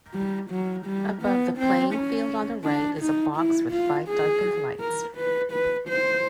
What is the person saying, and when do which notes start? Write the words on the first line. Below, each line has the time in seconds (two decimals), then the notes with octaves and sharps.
Above the playing field on the right is a box with five darkened lights.
0.14 G3
0.51 F#3
0.86 G3
1.22 B3
1.58 C4
1.94 C#4
2.65 D4
3.01 D#4
3.37 E4
3.72 F4
4.09 G#4
4.80 A#4
5.17 B4
5.52 B4
5.88 C5